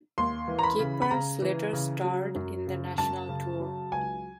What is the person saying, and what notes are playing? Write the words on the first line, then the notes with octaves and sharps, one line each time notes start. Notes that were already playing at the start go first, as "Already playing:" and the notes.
Capers later starred in the national tour.
D#2 C6
E3
A#5
B5
C#3
B5
C#3 A#5
E3
C#3
F#3
F#2
C#3
F#2 A5
C#3
F#3
C#2 G#5